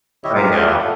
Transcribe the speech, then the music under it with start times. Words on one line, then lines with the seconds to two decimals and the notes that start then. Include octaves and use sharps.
I know.
0.24 E4 G4 C#5 D#5 E5
0.35 G#3 F4 G4 F5 A#5
0.51 A3 D#6 F6 F#6
0.66 F4 G4 B4
0.78 A4 F#5